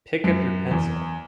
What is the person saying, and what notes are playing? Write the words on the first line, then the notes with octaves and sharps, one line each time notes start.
Pick up your pencil.
F#2
E2